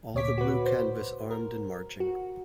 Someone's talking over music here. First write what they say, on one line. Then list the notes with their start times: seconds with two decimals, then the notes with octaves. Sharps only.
All the blue canvas armed and marching!
0.14 D2 A#2 C#5 D6 B6
0.38 F#4 B4
0.66 C5
1.31 A#4
2.00 F#4